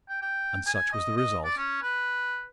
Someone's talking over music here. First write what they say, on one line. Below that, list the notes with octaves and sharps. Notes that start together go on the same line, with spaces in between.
And such was the result.
G5
G5
G#5
D#5
D#5
D5
C#4
B4